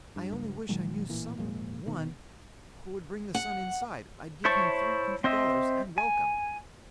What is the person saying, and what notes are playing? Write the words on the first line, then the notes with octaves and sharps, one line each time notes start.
I only wish I knew some one who would bring the sun inside; I'd give him three hundred dollars and welcome.'
G2
C#2 G2
A#2 D#3 F#3 G#3
A1 A#2 E3
G#1 F2 A#2 G#3
D#1 B2 D#3
F#5
E4 C5 C#5 A5 C#6
C4 C5 D#5 E5
G#5